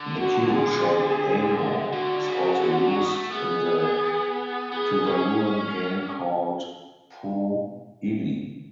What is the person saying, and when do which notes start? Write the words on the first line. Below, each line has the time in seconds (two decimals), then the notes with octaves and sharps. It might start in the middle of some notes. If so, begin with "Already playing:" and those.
The cube shaped "ano" is also used in the Tuvaluan game called "poo ili".
Already playing: D3
0.19 F#4
0.53 G#4
1.92 D3 F#4
2.27 C#3
2.62 D3
2.86 F#3
3.00 B3
3.09 A3
3.32 B3 G#4
4.72 B3 G#4
5.07 C#4